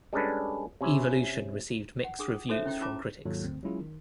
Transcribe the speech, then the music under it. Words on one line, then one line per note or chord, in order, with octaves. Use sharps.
"Evolution" received mixed reviews from critics.
G3 G#3 C#4 D4 A4 B4
C3 C#4 E4
F#5
D4 G#4 D#6
D#4 F#4 A4 C5 C#5 E5
C#4 E4 G5
C#4 E4 F4 A5 A#5 D6
G#1 D#2 G#2 F#3 F4 A4
G1 D2 C4
F#3 G#3 C#4 E4 F4 G#4
D#3